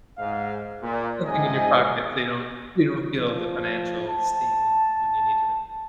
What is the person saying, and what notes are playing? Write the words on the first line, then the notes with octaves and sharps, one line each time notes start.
something in your pocket so you don't you don't feel the financial sting when you need to relax.
G#2 F5
A#2
G#2 C3 F3 D#4 D#5 G#5
F3
A5